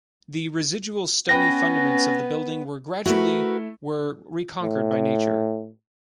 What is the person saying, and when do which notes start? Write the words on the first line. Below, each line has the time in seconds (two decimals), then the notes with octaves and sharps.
The residual stony fundaments of the building were gradually were reconquered by nature.
1.29 B3 C#4 B4 G5 A#6
3.06 A3 E4 F#4 A#4 B4
4.63 A2